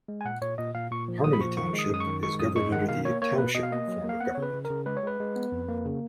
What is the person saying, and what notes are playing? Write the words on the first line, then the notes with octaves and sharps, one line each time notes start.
Harmony Township is governed under the Township form of government.
G#3
G#5
A#2 F#5
A#2 C#5
A#2 D#5
A#2 F5
A#2 C#6
F3
A#2 D#6
B5
F3 C#6
D#3 C#6
G#3
D#6
F#2 D#6
C#6
D#3
G#3 C#6
F#2 D#6
G#3 C#6
D#3 F#5
B2 F5
A#3 C#5
A#3 C#5
B2 B4
B2 D#5
F5
A#3 D#5
F#3
A#3
F5
B3 F#5
C#5
C#3
B4
C#3
A#4
C#3
G#3 B4
C#5
G#3 B4
G#3
B3
F2
A#3
C#3